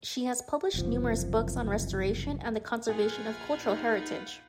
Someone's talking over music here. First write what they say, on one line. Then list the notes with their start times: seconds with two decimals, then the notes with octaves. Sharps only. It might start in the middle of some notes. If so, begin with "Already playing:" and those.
She has published numerous books on restoration and conservation of cultural heritage.
0.74 F#1 C2 F3
2.89 A#1 F4 G#4 B4 F#5 F6 G#6
3.61 D#4